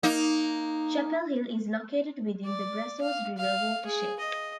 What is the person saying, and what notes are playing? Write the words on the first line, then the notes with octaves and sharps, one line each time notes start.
Chappell Hill is located within the Brazos River watershed.
A#3 D#4
D5
F5
F5
G#4
D#5